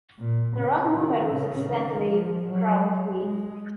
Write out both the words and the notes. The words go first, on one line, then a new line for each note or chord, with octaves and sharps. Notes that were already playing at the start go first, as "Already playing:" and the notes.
The wrong woman was accidentally crowned queen.
A#2
C#3
D#3
C#3
D#3
F3
F#3
G#3